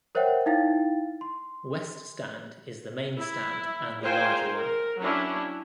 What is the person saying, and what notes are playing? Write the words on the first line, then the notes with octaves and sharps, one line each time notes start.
West Stand is the main stand and the larger one.
A#4 C5 C#5 E5 F#5 G5
D#4 E4 F5 G5 A6
C6
E4
F4 G#4 A#4 C5 G5 G#5
A#4
F#3 C#4 D4 E4